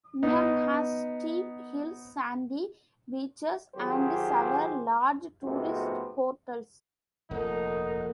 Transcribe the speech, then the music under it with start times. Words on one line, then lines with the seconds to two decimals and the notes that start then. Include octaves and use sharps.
Neum has steep hills, sandy beaches, and several large tourist hotels.
0.23 B3 D#4
3.75 G#1 F#3 F4 G4 G#4 C5
5.43 G#2 C3 F3 A3 B3 F#4
7.31 F1 D#2 A#2 F3 D#4 A4 A#4 F#5